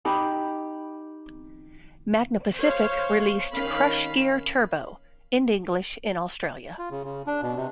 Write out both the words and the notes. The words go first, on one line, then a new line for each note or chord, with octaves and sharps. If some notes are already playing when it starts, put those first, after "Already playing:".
Magna Pacific released "Crush Gear Turbo" in English in Australia.
D#4 G4 B5
C5 C#5 F5
D#3 C#4 F5 B5
F4
C#3
C#3
D4
B2
C3